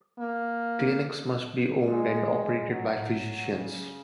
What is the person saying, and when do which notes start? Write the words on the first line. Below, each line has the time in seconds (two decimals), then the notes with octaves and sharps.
Clinics must be owned and operated by physicians.
0.19 A#3
1.86 G#3
2.70 F#3
3.53 C#3